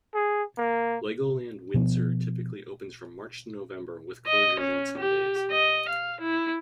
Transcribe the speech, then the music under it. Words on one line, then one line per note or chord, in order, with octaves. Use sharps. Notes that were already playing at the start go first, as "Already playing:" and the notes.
Legoland Windsor typically opens from March to November, with closures on some days.
G#4
A#3
B2 F3 B3
D#5
C#4
G4
D#5
F5
E4